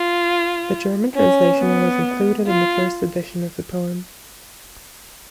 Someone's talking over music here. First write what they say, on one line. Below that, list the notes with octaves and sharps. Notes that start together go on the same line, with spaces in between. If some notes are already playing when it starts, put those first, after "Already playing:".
The German translation was included in the first edition of the poem.
Already playing: F4
C#4
B3
F4